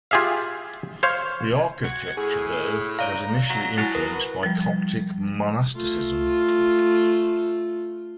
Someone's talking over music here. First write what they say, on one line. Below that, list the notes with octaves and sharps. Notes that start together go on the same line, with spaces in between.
The architecture though was initially influenced by Coptic monasticism.
F4 G4 G#4 E5 F5
C5 C#5 F5
F#4 G#6
A2 G#4
C#5 D5 F5 A#5
F#3
F#3 E4 G#5
A#4 B4
F3 G3
A3 F4